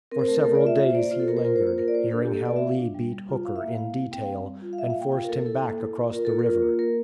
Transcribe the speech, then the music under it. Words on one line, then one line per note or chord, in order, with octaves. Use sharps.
For several days he lingered, hearing how Lee beat Hooker, in detail, and forced him back across the river.
C4 A#4
C5
A3 A#4
A4
A3 A#4
D5
F4
E5
F4 E5
C5
A#3 D5
F4 C5
A4
A#3 A#4
C5
F4 A#4
C5
A#3
C5
F4 A#4
D5
A#3 C5
D4 A4
G4
A#3
A4
A#3 D5
E5
F4
F5
D4
G3
G3
F4
E4 F5
E5
A#3
F5
E4 F5
A#3
C4 G5
F5
G3
G3
F4
F5
F4 E5
F5
A#3
G5
F4 F5
A#4
A#3 A4
E4 A4
A#3
E4
A#3
F4 A#4
A#3 A4
A#4
F4
A#3
A#3 A#4